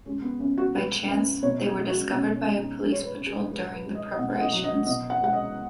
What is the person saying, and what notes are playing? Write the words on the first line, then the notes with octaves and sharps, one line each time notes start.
By chance, they were discovered by a police patrol during the preparations.
G#3 C#4
B3
F#2 C#4
F#4
G#3 B4
F#2
B2 C#5
G#4
G#3
F#4
B2 C#4
C#4
G#3
D#4
G#3 G#4
C#5
B4
F#2
G#4
G#2 B4
B4
G#3
D#5
D#5
B2 F#5
F#5
D#5
F#3
D#5
B2 D#5
F#5
G#3 F#5
D#5